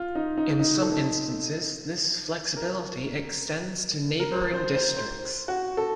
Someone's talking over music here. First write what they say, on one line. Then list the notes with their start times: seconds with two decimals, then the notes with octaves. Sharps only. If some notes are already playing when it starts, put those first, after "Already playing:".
In some instances, this flexibility extends to neighbouring Districts.
Already playing: F4
0.15 D#4
0.38 D#4
0.59 D#4
0.82 A4
2.56 A#4
4.19 A#4
4.32 C5
4.54 C5
4.75 C5
4.97 C5
5.48 F#4
5.77 A4